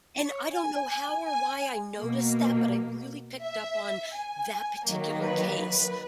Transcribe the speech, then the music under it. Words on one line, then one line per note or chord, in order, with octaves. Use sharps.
and I don't know how or why I noticed that, but I really picked up on that particular case,
C#5
G#5
G#5
B2 A#3
E5
G#5
D#3 F#3 A#3
B4
B4